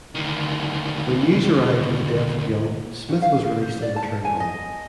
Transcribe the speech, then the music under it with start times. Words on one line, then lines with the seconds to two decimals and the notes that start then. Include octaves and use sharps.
When news arrived of the death of Young, Smith was released and returned home.
0.15 D2 D#3
3.08 F#4
3.22 F5
3.61 C5
3.82 D5
3.96 A5
4.25 G#5
4.40 D#5